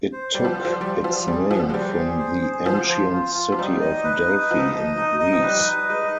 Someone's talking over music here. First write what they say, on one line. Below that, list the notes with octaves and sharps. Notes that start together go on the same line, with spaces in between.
It took its name from the ancient city of Delphi, in Greece.
C5
G3 C5
F3
F4
F3
G3 F4
F3 F4
G3 G#4
F3 B3
G#3
G3 C5
G#4
C5
G#4
F3 C5
F4
F4
F4
F3
G3 D#4
D#5
B4
D#4
F3 D#5
D#5
D#4
D#5
F3
G3 B4
D#4
G#3 D#5